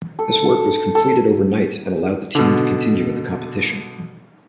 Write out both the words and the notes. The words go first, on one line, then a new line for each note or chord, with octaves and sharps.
This work was completed overnight and allowed the team to continue in the competition.
A4
A4
B2 D3